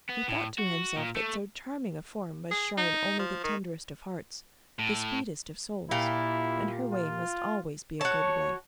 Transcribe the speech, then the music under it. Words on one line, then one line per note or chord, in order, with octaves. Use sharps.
He thought to himself that so charming a form must shrine only the tenderest of hearts, the sweetest of souls, and her way must always be a good way.
B3
A2
F#4
A#2
A3
G#4
D#4
F3
D#3
A2
A#2 E4 G4 F5
F4
F#4 C#5 A5